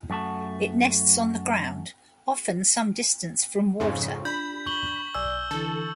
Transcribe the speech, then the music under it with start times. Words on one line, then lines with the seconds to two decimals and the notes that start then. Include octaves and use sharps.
It nests on the ground, often some distance from water.
0.10 F#2 A3 F#4 A5
3.80 F2 G#2 C#3 C6 C#6
4.25 D4 B5 G6
4.66 C#6 F#7 G7
5.14 B1 D5 G#5 E6
5.51 D3 E3 A4